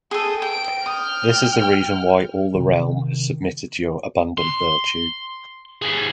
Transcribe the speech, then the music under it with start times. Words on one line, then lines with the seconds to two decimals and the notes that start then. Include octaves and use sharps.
This is the reason why all the realm has submitted to your abundant virtue.
0.11 G#4 A4 G5 D#6
0.42 G5 D7
0.86 G5 D#6 F6
2.54 C3 D#3
4.38 C6
5.82 D#2 G#4